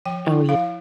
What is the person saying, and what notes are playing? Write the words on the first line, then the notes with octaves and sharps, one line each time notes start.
Oh ye
F3 G5
E4
F3 F5